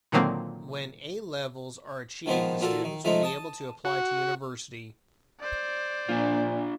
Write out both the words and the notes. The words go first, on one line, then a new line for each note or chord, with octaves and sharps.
When A levels are achieved the students will be able to apply to university.
A#2 D3 D#3 F#3 A#3 C4
D#3 F3 G#3 B3 F4
A#2 F4 F#4 A4
D#3
F3 G#3 A3 D#4 F4
A5 D#6
F#4
C5 D5
A#1 A#2 D4 F4